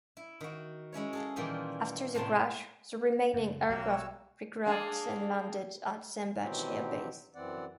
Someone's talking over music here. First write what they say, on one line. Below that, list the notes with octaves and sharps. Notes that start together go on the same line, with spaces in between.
After the crash, the remaining aircraft regrouped and landed at Sembach Air Base.
E4
D#3 F#4
G#3 C#4 E4 C#5
G#4 A4 F5
A#2 D#3 E3 G3 F4 F5
A2 C3 A5 C6
F#2 C#3
B1 A#3 F#4 G4 C#5 E5 F5 E6
A#3 D4 G#4
B2 D#3 E3 F#3 C4 G4
F#2 E3 C4 D5 F#5